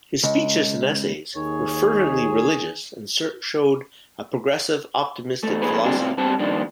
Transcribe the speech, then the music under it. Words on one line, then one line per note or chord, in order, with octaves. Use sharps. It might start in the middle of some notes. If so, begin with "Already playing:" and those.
His speeches and essays were fervently religious and showed a progressive, optimistic philosophy.
C#2
D#2 D#3 G#4 C#5
E2 A3
A2 F3 A#3 G#4 B4
F#3 A#3 C4 D4 G#4
A2 C3 F4
G2 G3 B3 C4 A5
G2 D#3 F3 A#3 D4